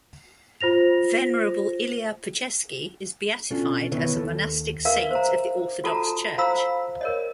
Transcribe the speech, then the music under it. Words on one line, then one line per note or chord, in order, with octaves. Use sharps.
Venerable Ilya Pechersky is beatified as a monastic saint of the Orthodox Church.
F4 C5 A#6 F7
B2 C#4 D4 F4 A4
D#3 B3 E4 B4 C#5
D#2 A4
A#4 B4 E5 F5
C5 A#5
F4 F#4 A4 A5 A#5
C5 F5 A#5 B5 E6
A#4 C#5 D#5